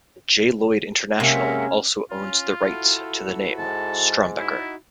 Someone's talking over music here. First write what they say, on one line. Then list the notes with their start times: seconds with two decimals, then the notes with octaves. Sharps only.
J. Lloyd International also owns the rights to the name StromBecKer.
1.20 C3 G#3 A#3 C#4 A#4 E5 F#5
2.11 C#4 F4
2.61 E4 F#4 A4
3.59 G#2 A5
4.39 D#4 E4 F#4